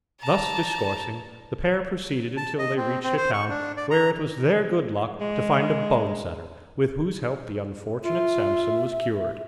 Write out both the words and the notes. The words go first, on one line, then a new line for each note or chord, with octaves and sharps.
Thus discoursing, the pair proceeded until they reached a town where it was their good luck to find a bone-setter, with whose help the unfortunate Samson was cured.
A5 A#5
A5
D#5
C4
C4
C5
C#6
D4
D5
A#5
G#3
F4 E5